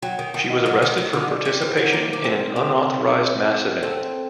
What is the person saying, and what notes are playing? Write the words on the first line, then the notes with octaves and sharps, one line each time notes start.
She was arrested for "participation in an unauthorized mass event".
F#3 G5
D#3 G5
D#3 F#5
D#5
F#3
D#3
D#3
D3
D5
G3
G3 C5
F#3
A#3 A#4
D4
C4
C4
C4 A4